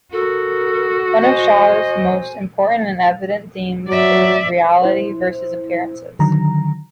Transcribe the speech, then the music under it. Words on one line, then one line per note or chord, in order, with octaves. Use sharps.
One of Shaw's most important and evident themes is reality versus appearances.
F#4 A4 A#4
C5 D#5 G#5
F#3 D5 E5
E4 C5
D3 D#3 F#3 A#5